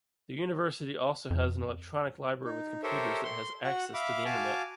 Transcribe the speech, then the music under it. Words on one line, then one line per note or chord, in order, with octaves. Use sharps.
The university also has an electronic library with computers that has access to internet.
F2
D#4
G4 A4 A#4 C5 C#5 E5
C6
F#4 F#5
E5 F5 B5 D6
F#4 F5 G#5 A5 D6